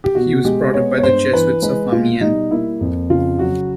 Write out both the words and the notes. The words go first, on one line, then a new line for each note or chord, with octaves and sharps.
He was brought up by the Jesuits of Amiens.
G4
B2 F#4
G#3 G4
B3 C#5
C#5
G2 C5
E3 B4
G#3 B4
B2 F4
G3 D#4
A#3 E4
F2
C#3 F4
F#3 F#4